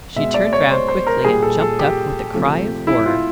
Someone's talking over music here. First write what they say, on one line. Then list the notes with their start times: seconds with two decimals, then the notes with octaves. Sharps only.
She turned round quickly and jumped up with a cry of horror.
0.16 B2 G#3 E5
0.34 D5
0.53 C#5
0.71 C5
0.88 C5
1.07 A#4
1.24 A#2 G3 G#4
1.42 A4
1.61 A4
1.79 G4
2.33 C3 F3 A3
2.87 E4
3.06 F4